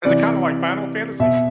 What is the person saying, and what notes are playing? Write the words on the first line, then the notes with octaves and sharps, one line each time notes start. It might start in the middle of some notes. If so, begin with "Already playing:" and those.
Is it kinda like Final Fantasy?
C3 E3 D5
B2 E5